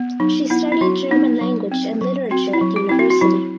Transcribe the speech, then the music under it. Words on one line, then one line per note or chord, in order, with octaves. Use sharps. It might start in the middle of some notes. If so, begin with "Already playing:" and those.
She studied German language and literature at university.
Already playing: B3
F#3 D#4
B3 E4
E4
F#3 F#4
B3 D#4
F#3
C4
F#3
C4 F#4
E4
F#3
G4
C4 E4
F#4
F#4
F#3 E4